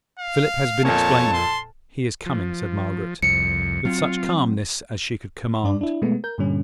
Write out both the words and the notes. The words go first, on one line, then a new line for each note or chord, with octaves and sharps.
"Philip has been explaining--He is coming," said Margaret, with such calmness as she could command.
F5
F2 A#2 C#5 A5
C6
F3
C2 F2 C#7
F#3 C4 F4
G2 D4 D5
D4 E4
B2 G#3 A3 B3
A#4 G6
G2 A#2 D3 G3 C#4